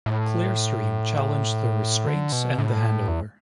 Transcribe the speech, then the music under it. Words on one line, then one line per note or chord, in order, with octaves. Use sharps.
Clearstream challenged the restraints and the handover.
A2
D3
B2
A2
E2